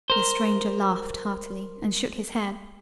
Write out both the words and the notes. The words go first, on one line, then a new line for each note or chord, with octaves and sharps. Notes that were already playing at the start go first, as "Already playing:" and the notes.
The stranger laughed heartily, and shook his head.
A#4 C5